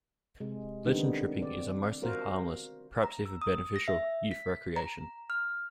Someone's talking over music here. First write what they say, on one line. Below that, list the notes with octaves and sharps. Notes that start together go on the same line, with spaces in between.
Legend-tripping is a mostly harmless, perhaps even beneficial, youth recreation.
C3 G#3
D3 D#3 G3 B3 C4 D#4
C4 D5
F4 F#4 A#4 C5
A#5
E6
D#6
A#6
E5
B6
A#5
F6